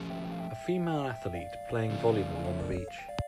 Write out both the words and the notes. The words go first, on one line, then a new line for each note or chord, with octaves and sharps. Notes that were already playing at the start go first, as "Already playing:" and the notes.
A female athlete playing volleyball on the beach.
Already playing: F3 A3 C#4 G4
E5 G5
G5
F5
E5 G5
D5 F5
C#3 F3 A3
D5
C#5 E5
A#4 D5
A4 C#5
F5
G5
D5 F5